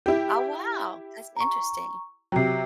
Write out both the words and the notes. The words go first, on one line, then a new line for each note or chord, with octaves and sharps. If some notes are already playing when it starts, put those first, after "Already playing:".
Oh, wow! That's interesting.
E4 G4
A#5 C#6
C3 F#3 G5 C7